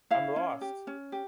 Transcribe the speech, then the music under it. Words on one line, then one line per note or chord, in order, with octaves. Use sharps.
I am lost!
E4 F5
C#4
G4
C#4
G4